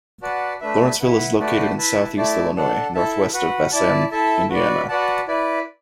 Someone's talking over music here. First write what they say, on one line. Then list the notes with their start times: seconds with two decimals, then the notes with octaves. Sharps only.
Lawrenceville is located in southeast Illinois, northwest of Vincennes, Indiana.
0.22 F#4 B4 D5 F#5 A5
0.61 A3 D4 B4 E5
1.00 E4 B4 F#5
1.39 A3 F#4 B4 D5 A5
1.78 E4 B4 E5 A5
2.17 A3 E4 D5 A5
2.55 D4 A4 F#5 A5
2.94 E4 A4 E5 A5
3.33 F#4 B4 F#5
3.72 E4 D5 A5
4.11 E4 A4 E5 A5
4.50 F#4 B4 D5
4.89 F#4 B4 D5 F#5 A5
5.28 E4 B4 D5